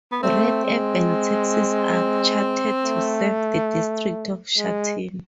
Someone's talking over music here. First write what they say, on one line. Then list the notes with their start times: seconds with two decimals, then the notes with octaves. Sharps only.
Red urban taxis are chartered to serve the District of Shatin.
0.12 B3
0.22 A3 C4
0.66 G#3
2.84 A3
4.58 G#3